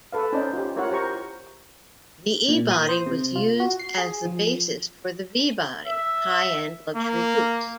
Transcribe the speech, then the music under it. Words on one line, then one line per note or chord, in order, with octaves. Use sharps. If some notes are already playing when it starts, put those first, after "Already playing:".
The E-body was used as the basis for the V-body high-end luxury coupes.
A4 B4 F5
C#4 D#4 C5 D5
F4 G4
E4 F4 A#4 C#5 F5 F#5
G4 A#4 C5 A#5 C#6
A#2
D#6
C5
C3
F4
F#4
C7
G#4
F3
E5
A#3